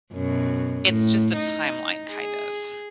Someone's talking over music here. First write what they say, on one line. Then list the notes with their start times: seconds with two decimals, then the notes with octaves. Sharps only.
it's just the timeline kind of.
0.13 F#2 B2
0.86 A2
1.35 D#4
2.09 G#4